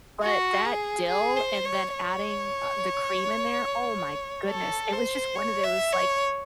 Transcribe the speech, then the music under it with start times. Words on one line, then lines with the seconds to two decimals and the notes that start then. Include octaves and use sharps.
but that dill and then adding, uh, the cream in there, oh my goodness. It was just one of those, like,
0.22 F#4
0.65 G#4
1.08 G#4
1.36 C5
1.65 C#5
1.93 C#5
4.50 A4
4.93 C5
5.35 C#5
5.64 E5
5.92 C#5